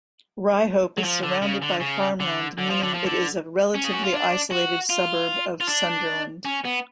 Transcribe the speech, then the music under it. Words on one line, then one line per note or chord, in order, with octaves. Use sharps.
Ryhope is surrounded by farmland meaning it is a relatively isolated suburb of Sunderland.
F#3
F3
D3
C#3
D3
C#3
D3
D3
F3
D3
F3
D3
C#4
G#4
F#4
F4
D4
F#4
F4
F4
D4
C#4
B3